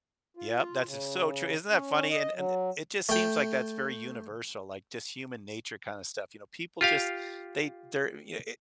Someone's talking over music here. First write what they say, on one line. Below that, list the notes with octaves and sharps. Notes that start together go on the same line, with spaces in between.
Yep, that's s so true, isn't that funny, and and it just seems like that's very universal, like, just human nature kinda stuff, you know? People just they they're y
F4
C#3
C#4
D#5
F#3
A3 G5
F4 G4 F5